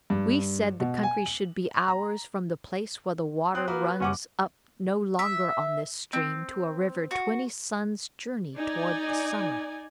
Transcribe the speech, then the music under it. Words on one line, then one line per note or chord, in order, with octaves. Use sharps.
We said the country should be ours from the place where the water runs up no longer on this stream, to a river twenty sun's journey toward the summer.
G2
B2
G#5
F#7
A#5
C4 D#6 F#6
A#3 F#4 B4
F#1 C#4 F#5 D6
E5
C4
F#4
D#4 D5 G#5